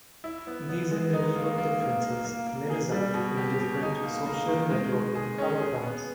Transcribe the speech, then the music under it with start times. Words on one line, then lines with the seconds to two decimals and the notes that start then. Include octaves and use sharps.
These individual differences may result in different social networking outcomes.
0.24 E4
0.47 B3
0.69 B3
0.91 G#3
1.13 D#4
1.36 A#3
1.58 A#3
1.80 A#3
2.02 A#3
2.25 A#3
2.47 A#3
2.70 G#4
2.91 G3
3.14 B2
3.37 G4
3.59 B2
3.82 D#4
4.04 A#3
4.26 A#3
4.48 D#3
4.70 G#3
4.92 G#3
5.15 G#4
5.38 C#4
5.60 G#4
5.83 B3